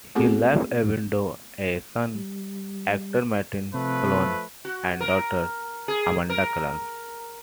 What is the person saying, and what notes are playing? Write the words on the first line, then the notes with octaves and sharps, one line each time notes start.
He left a widow, a son, actor Martin Clunes, and a daughter, Amanda Clunes.
A3 B3 C4 F#4 G#4 A4
G3
C3 F3 A3 C4 B4
F#4
A#4
G#4
A#4